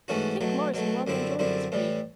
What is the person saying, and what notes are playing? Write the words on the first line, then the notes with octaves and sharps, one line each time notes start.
I think Morrison rather enjoyed the spree.
G#2 E3 A3 C#4 F#4
B2 F#3 A3
B2 F#3 A3
F#2 D3 G3 C4 E4
F#2 D3 G3 C4 E4
A2 E3 G3